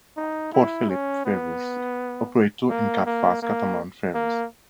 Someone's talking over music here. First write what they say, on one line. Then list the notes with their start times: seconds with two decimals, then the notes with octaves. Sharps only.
Port Phillip Ferries operate two Incat fast catamaran ferries.
0.17 D#4
0.53 E4
0.89 C#4
1.25 B3
2.70 A#3
3.06 A#3
3.42 A#3
4.14 A#3